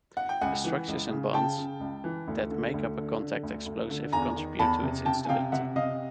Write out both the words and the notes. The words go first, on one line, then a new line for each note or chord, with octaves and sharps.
The structures and bonds that make up a contact explosive contribute to its instability.
F#5
G5
C#2 F#5 G#5
E3
C#2
C#3
C#3 G5 A5
C#3
C#2
E3
D2
D3
D2
D3
D3
D2
D2
D3
E2 G#5 A#5
D#3
E2 A5 B5
C3
C3 G5 A5
G#5
C3 F5 G5
C3 E5 F#5
C3 D#5 F5